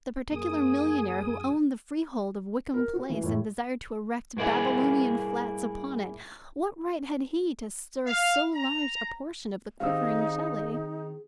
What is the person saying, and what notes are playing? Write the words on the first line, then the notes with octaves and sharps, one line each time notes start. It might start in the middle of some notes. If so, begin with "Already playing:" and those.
The particular millionaire who owned the freehold of Wickham Place, and desired to erect Babylonian flats upon it--what right had he to stir so large a portion of the quivering jelly?
F#2 A#3 G#4 D#6
A#4
F#4
E3
A2
G2 A#3 E4 G#4
F5
A#5
D#3 C4 D#4 G4 G#4 F5 E6